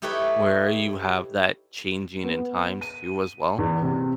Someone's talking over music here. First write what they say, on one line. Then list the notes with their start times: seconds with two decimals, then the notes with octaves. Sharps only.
where you have that changing in times too as well,
0.02 D#4 E4 G4 A4 B4 C#5
2.24 B3
2.81 D#7
3.58 E2
3.83 C3